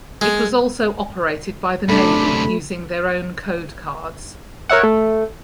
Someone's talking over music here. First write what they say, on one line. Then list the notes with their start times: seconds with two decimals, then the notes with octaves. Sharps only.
It was also operated by the Navy using their own code cards.
0.21 G#3
1.89 F#2 C3 A3 D4 B5
4.69 A#4 C#5 E5 F#5
4.83 A3